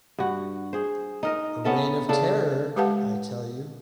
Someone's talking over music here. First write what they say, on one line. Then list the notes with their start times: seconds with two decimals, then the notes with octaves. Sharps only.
A reign of terror, I tell you.
0.18 G2 F#4
0.73 G#4 C5
1.23 D#4 A#4 D#5
1.64 B3 C#4 A4 E5
2.09 C#3 D4 A4
2.76 G#3 G4 B4 F5 F#5 A5